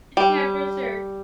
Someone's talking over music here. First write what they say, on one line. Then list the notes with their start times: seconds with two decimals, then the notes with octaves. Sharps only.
yeah, for sure.
0.17 G3